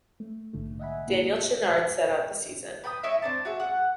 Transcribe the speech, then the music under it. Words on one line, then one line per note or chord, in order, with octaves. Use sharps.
Daniel Chenard sat out the season.
A3
A#1 G#2 D3 A3
D#5 E5 F#5 G#5 B5
A#3 E4 F#4
B4 G5 A5 D#6
E4 C#5 D#5 E5
C4 D4 A5
F#4 G#4 E5
F#5